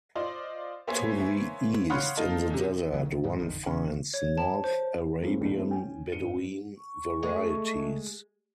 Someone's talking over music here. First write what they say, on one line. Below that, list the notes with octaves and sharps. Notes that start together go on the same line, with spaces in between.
To the East, in the desert, one finds North Arabian Bedouin varieties.
F4 C5 D5 D#5
A#3 B3 C5 C#5 E5 G#5
C#5 F5 F#5 B5 C6 D#6
A#3 D#4 A4 D#5 F5
E2 C3
C#2 E3 F#3 B3
D#3
G#2 D#3 F3 F#3
A1 F2 D3 D#3
D1 C#3 C#4
C#5
A5
C5
E3 G#3 A#3 C4 C#4 G#4
A#1 D#2 G#2 G3 A3
G3 A3 B3 C4 E4
C#4 G5 G#5
G#1 G2 C#7 D#7 G7
C#6
G#3 A3